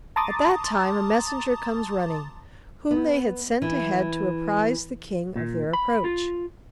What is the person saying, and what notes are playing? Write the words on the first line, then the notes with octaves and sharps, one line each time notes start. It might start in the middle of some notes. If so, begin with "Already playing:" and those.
At that time a messenger comes running, whom they had sent ahead to apprise the King of their approach.
A5 A#5 C6 D6 D#6 A6
B3
E3
A#2
B5
F4